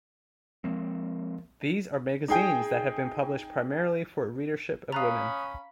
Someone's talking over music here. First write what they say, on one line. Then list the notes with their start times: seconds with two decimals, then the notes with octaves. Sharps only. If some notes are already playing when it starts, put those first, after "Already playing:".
These are magazines that have been published primarily for a readership of women.
0.64 F3 G#3 A#3 C4
2.28 D#4 G#4 G5
4.92 C#4 F5 A#5 B5 D#6 F#6 A6